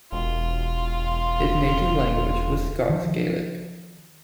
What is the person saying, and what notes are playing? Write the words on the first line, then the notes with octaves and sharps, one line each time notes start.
His native language was Scots Gaelic.
E1 F4
D#3 F3